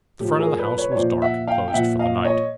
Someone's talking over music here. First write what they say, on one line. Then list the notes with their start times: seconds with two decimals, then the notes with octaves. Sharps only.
The front of the house was dark, and closed for the night.
0.20 A2 F3 G4 A4
0.39 G#4 A#4
0.59 A4 B4
0.78 B4 C#5
0.92 C#5
0.96 A#2 F3 C5 D5
1.22 E5 F#5
1.47 F5 G5
1.68 G5
1.74 A#2 F3 E5 F#5
1.99 D#5 F5
2.25 C#5 D#5